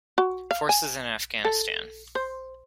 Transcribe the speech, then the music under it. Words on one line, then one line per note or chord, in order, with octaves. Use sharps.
Forces in Afghanistan.
F#4
F5
G#5
A4
C5